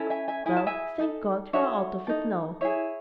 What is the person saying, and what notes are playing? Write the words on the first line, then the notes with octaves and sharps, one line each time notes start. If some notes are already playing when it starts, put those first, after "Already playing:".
"Well, thank God you're out of it now!"
Already playing: C#4 E4 A4
E5 G#5
E5 G#5
E4 G#4 G#5
A5
E5 G#5
D#4 A4
D#4 F#4 A4 C#5 E5
D#4 A4
E4 G#4 C#5 E5